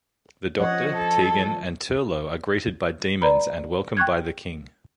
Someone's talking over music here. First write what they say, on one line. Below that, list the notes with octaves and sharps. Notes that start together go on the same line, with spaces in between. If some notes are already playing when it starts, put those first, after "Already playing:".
The Doctor, Tegan, and Turlough are greeted as demons and welcomed by the King.
F3 C#5 D#5 F#5
A4
B4 D5 A#5 B5
G5 C#6 F#6 G#6